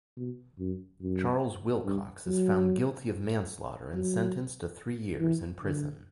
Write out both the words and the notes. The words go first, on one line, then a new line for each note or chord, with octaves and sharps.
Charles Wilcox is found guilty of manslaughter and sentenced to three years in prison.
B2
F#2
F#2
G2
F#3
F#3
E3
D3